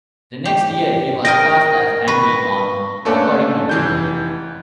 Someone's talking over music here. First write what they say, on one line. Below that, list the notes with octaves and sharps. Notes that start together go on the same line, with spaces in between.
The next year he was cast as "Andy" on "According to Jim".
G4
A#4 D#5 G5 A#6
B4 C#6 A#6
A3 A#3 C#4 D4 A4 B4
F1 E3 G6